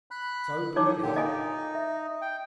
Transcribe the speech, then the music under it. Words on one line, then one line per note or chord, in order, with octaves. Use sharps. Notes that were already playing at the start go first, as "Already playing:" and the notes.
"So be it."
B5 F#6
F#3 D#4 C#5 D6
A#2 D3 G4
D#4 D#5 F5 G#5
E5
G5